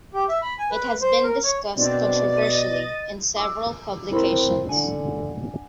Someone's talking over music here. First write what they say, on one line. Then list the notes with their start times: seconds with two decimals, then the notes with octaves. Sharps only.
It has been discussed controversially in several publications.
0.14 G4
0.29 E5
0.42 B5
0.59 G#5
0.71 B4
1.01 C5
1.24 A#4
1.44 C#5
1.77 B2 C4 D4 D5
2.37 D#5 A6 D#7
3.36 D6 E6
4.12 C4 E4 A#4 B5 C6
4.69 D3 D4 F#5 G#5